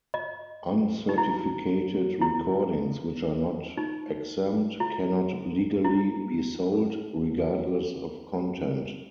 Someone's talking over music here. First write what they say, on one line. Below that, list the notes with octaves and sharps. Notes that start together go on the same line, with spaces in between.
Uncertificated recordings which are not exempt cannot legally be sold, regardless of content.
D#5
D#4
E4
E4
D#4
E4
E4